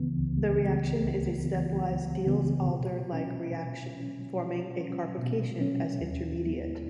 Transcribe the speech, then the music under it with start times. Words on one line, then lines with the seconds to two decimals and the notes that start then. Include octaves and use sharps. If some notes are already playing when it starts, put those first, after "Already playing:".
The reaction is a stepwise Diels-Alder like reaction, forming a carbocation as intermediate.
Already playing: C#2 C#3 E3 B3
0.19 C#2
0.60 C#3 E3 B3
1.02 C#2
1.43 C#3 E3 B3
1.85 C#2
2.26 C#3 E3 B3
2.68 B2
3.10 F#3 C#4
3.52 B2
3.92 F#3 C#4
4.34 B2
4.76 F#3 C#4
5.18 B2
5.59 F#3 C#4
6.01 D#2
6.42 F#3 B3 E4